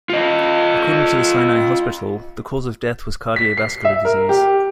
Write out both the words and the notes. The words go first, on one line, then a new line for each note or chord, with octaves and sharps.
According to the Sinai Hospital, the cause of death was cardiovascular disease.
F4 D#5
B6
C7
E5
A#4
G4